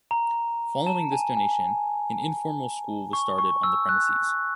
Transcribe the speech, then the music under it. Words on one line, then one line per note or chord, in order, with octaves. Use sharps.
Following this donation an informal school was started on the premises.
A#5
A5
G#5
G#5
C#6
C#6
E6
F#6